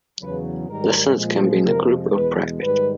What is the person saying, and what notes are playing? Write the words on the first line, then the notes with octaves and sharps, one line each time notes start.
Lessons can be in a group or private.
E2 C#3 F#3 B4
G#2 D#3 G3 A#4
A#2 F3 G#3
F2 C3 F3 G#3 A#4
E2 B2 G#3 B4
G#2 D#3 G3 B4